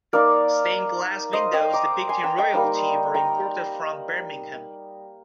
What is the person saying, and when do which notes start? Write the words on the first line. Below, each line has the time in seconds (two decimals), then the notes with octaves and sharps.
Stained glass windows depicting royalty were imported from Birmingham.
0.13 A#3 D#4 A#4 D5
1.33 C5 D#5
1.53 D#5 G5
1.73 A#5 D6
2.09 G#5 C6
2.23 G5 A#5
2.38 D#5 G5
2.54 G3 A#3 D#4
3.14 G5 A#5